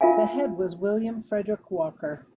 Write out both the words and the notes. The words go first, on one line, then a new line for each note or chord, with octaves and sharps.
The head was William Frederick Walker.
F4 A#4 E5 F5 G#5